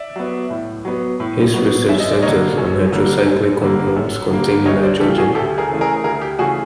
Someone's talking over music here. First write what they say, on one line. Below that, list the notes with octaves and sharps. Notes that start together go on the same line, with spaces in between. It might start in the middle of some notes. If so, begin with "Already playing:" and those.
His research centres on heterocyclic compounds containing nitrogen.
Already playing: D5 E5
F#3 B3
A2
F#3 B3
A2
F#3 B3
F#2 E5
D#5
D5
D3 G3 A#3 C#5 D#5
F#2
D3 G3 A#3
F#2
D3 G3 A#3
F#2
D3 G3 A#3
D2 C#5 D#5
C5 D5
C#3 E3 A3 G4 A4
F#4 G#4
D2 G4 A4
G#4 A#4
C#3 E3 A3
G#4 A#4
D2 G#4 A#4
G4
C#3 E3 A3 F#4 G#4